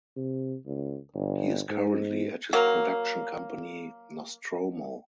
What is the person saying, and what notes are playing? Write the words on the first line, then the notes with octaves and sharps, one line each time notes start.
He is currently at his production company "Nostromo".
C3
C#2
G1
G#2
F#3 A#3